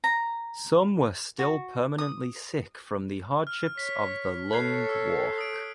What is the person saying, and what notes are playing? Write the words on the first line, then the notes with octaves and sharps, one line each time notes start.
Some were still permanently sick from the hardships of the Long Walk.
A#5
F#4
D#6
F6
C#5 B6
A4 C#5 F#6 G#6 C7
E6
D#6 D7